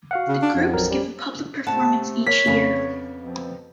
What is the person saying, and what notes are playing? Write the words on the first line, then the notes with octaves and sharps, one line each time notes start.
The groups give a public performance each year.
F#4 F5 F#5
C#3
D4
F2
A1 F#3 A#4
G3 C#4 G4
C3 A3 C4 F#5 A5
A#4 C#5 B6
F2 C#3 B3 G#5
B2 F3 C4